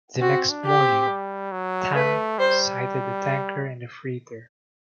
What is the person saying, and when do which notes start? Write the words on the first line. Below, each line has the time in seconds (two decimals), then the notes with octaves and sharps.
The next morning, "Tang" sighted a tanker and a freighter.
0.21 C4 F#4
0.50 D4
0.65 G4
0.79 C4
1.08 G3
1.52 F#3
1.95 A3 B4
2.38 G3 C5